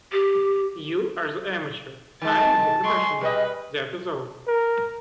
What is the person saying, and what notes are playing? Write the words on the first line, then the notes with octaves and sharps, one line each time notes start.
You are the amateur, I am the professional — that is all.
G4
D#3 G#3 A5
G#3 C6 C#6
G3 B4 D#5
A#4